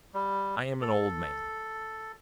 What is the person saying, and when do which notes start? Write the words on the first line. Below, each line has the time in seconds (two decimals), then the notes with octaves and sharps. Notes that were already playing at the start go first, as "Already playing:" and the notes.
I am an old man.
0.14 G3
0.82 A4